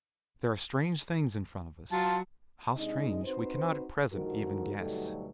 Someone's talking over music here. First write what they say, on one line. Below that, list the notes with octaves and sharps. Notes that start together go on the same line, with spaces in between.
There are strange things in front of us--how strange we cannot at present even guess.
F#3 F4 A5
C3 G#3 D4 D#4 D#5
C4 D#4 F#4 B4 C5
G#2 D3 D#3 F3 F#4 A#4
D2 B2 F#3 G3 D#4 A4